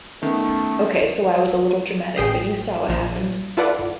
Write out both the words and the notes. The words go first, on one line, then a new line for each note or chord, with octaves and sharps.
Ok, so I was a little dramatic, but you saw what happened!
D#3 A3 B3 C#4
A1 G#4 G5 D#6 C7
A#1 F3
E4 F4 A4 B4 D5 F#5